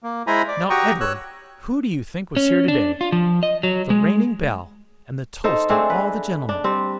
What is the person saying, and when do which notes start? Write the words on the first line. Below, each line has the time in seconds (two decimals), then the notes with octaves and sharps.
"Now, Edward, who do you think was here to-day--the reigning belle, and the toast of all the gentlemen?"
0.03 A#3
0.27 G#3 E4 C5 G#5 A#5 B5
0.48 D5
0.70 F#4 G4 G5 A#5 C#6 D#6
1.01 C#5 E6 F#6
2.37 C#4
2.68 D4
3.01 F4
3.12 F3
3.43 D#5
3.63 F#3
3.90 G#3
5.44 D#4 A4 C5
5.70 A3 C4 D4 G#4
5.90 B4
6.49 D4
6.64 G3 C4